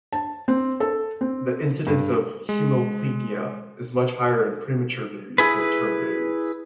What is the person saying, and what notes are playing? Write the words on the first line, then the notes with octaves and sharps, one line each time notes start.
The incidence of hemiplegia is much higher in premature babies than term babies.
A5
C4
A4
C4
G2
G#3
E4 G#4 B4